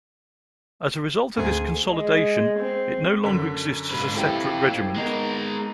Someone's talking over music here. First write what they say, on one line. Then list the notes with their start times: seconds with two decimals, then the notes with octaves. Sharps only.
As a result of this consolidation, it no longer exists as a separate regiment.
1.37 D2 G#4
1.91 G#3
2.59 C4
3.23 F#2 D3 B6
3.91 G#2 B4
4.14 C3 C4 E4 A4 G5
4.96 G#3 B3 D#4 A#4